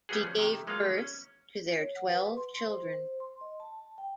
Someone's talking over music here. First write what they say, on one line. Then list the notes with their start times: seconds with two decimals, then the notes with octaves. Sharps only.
She gave birth to their twelve children.
0.09 G3 A3 B3 F#4 G#4
0.24 F3 C#4
0.38 C3 D#3
0.67 F#3 G#3 A#3 D#4 F4 F5
0.98 C#4
1.79 C#5
1.96 F#5
2.09 B4
2.37 C6
2.67 C5
3.20 C6
3.41 D#5
3.60 A5
3.98 G5